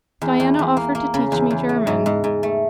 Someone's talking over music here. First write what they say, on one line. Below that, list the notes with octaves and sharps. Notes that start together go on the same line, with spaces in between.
Diana offered to teach me German.
E2
E2
E2
A#3
A#3
C#3
E2
E2
A3
G#2
G#2
G#2
A3